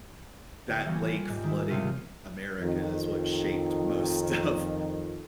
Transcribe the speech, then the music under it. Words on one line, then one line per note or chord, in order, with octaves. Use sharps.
that lake flooding America is what shaped most of
D2 B3 G5 F6
E3 G3 A#3 C#4
F4
G#2 G3
D#3 E4
C#2 C3 C4 F6 D#7
F2 D#3